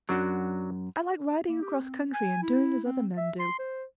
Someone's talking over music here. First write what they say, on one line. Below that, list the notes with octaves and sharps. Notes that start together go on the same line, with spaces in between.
I like riding across country, and doing as other men do.
F#2 F#3 D4 F#4
A#3
G4
C4
G#5
E4
C4
E5
C6
C5